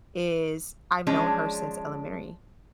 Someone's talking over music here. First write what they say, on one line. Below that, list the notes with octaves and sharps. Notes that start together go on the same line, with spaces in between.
is I've known her since elementary,
F3 G#3 C#4 D4